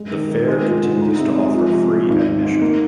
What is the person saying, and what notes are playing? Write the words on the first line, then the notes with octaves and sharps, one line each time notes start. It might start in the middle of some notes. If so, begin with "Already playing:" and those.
The fair continues to offer free admission.
Already playing: G#3
D#3
D#3
G#3
F4
D3
D#4
C3
G#3
F3
C3
C3
G#1
G#1
G#2
A#3